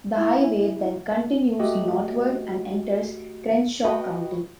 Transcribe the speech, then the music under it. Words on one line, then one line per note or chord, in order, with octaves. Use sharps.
The highway then continues northward and enters Crenshaw County.
E4
A3 F#4 G4 D#5
F#4 B4 D#5 G5 B5 C#6